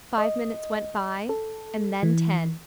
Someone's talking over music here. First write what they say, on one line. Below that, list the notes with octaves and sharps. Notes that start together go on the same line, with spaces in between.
Five minutes went by and then ten.
D#5
A4
E3